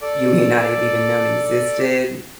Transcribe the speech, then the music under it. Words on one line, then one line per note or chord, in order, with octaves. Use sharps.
you may not have even known existed
A4 D5